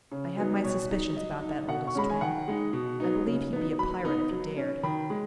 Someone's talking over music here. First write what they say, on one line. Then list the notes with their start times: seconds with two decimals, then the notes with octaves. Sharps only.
I have my suspicions about that oldest Twin. I believe he'd be a pirate if he dared.
0.12 C#3
0.37 F#3 B3 D#4
0.64 B2 C#5
0.89 F#3 D#4
1.15 F#3 D#5
1.42 D#4
1.68 B2 F#5
1.87 C#6
1.95 G#3 C#4 B5
2.10 G#5
2.21 D#3 F#5
2.48 G#3 D#4
2.73 B2
3.00 F#3 B3 D#4
3.26 C#3
3.53 B3 D#4
3.79 F#3 B5
4.04 B3 D#4
4.31 F#3
4.57 C#4
4.83 D#3 B5
5.10 G#3